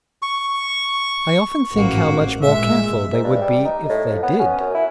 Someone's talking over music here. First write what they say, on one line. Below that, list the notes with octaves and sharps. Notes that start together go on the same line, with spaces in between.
I often think how much more careful they would be if they did.
C#6
A1 G#2 A#3 F#4
A#2 G#3 E5
G#2
G2
G3
D#4
A2
F2
B3
C#4
F#2
E4